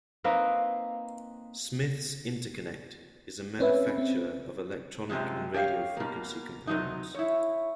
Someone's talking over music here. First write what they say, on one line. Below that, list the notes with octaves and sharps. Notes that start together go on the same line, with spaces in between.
Smiths Interconnect is a manufacturer of electronic and radio frequency components.
A#3 C4 D#4 B4
C4 C#4 B4 E5
C4
F#2 C3 F3 G#3
G4 C#5 F5
B2 A#3
C3 F#3 D#4
E4 C#5